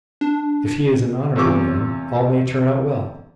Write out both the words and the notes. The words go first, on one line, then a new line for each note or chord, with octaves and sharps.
If he is an honourable man, all may turn out well.
D4
E2 C3 F4 C#6 D6